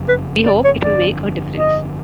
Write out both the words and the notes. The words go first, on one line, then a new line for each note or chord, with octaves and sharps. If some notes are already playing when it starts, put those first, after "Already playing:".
We hope it will make a difference.
Already playing: F#1 F2 C#3 F#3
B4
D5
C#5
G1 F2 D3 D5
D#5